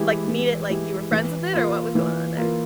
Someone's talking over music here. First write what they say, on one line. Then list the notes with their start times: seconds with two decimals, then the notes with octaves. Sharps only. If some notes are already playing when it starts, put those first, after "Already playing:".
like, meet it like you were friends with it, or what was going on there?
Already playing: E3 G#3 E4 G4
0.28 E3
0.70 G#3 E4 G4
1.12 E3
1.53 A#3 F4
1.95 E3
2.37 A#3 F4